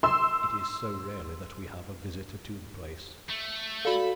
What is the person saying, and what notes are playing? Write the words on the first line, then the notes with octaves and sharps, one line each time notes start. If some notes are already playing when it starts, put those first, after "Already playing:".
"It is so rarely that we have a visitor to the place."
C6 E6
A3
F#4 A4 D5 F5 B5